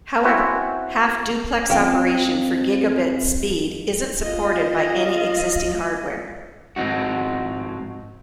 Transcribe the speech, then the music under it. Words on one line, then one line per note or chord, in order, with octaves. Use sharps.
However, half-duplex operation for gigabit speed isn't supported by any existing hardware.
C4 C#4 E4 F#4
F2 C4 C#4 F5 G5
F4 D#5
G#2 F3 C4 D#4 F#4